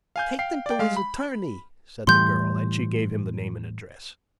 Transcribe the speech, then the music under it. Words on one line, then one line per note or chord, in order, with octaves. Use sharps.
"Take them to his attorney," said the girl, and she gave him the name and address.
F5 G#5 G6
F5 G5 C7
D5 G5
G#3 F5
B5
A2 E3 G3 C6 G6